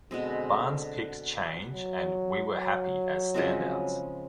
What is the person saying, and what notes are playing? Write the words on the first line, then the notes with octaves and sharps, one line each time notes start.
Barnes picked "Change" and "We Were Happy" as standouts.
B2 D3 G#3 C4
F#3
F#3
C#3 F3 G#3 C4